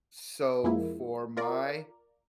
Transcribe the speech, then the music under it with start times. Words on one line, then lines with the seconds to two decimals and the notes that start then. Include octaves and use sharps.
so for my,
0.63 F2 F3 G#3 A#3 E4
1.37 F4 A#4 D5